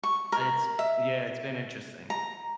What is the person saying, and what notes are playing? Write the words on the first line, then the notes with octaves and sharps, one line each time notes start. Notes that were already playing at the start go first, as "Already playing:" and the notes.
it's yeah, it's been interesting.
C#6
A#4
E5
A#5